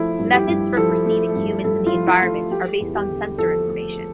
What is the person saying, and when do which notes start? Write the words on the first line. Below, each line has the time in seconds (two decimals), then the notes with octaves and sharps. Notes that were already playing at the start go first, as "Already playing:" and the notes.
Methods for perceiving humans in the environment are based on sensor information.
Already playing: F3 A3 E4
0.19 G2
0.33 G4
0.48 G2
0.77 F3 A4
1.06 A3
1.35 G2
1.64 G2 A4
1.87 F4
1.93 F3
2.08 F4
2.23 A3
2.51 A3 G4
2.81 E2
2.95 G4
3.10 D3
3.38 F3 A4
3.68 A3